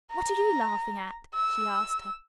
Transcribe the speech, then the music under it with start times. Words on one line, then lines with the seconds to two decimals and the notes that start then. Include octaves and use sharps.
"What are you laughing at?" she asked her.
0.11 A#5
1.34 E6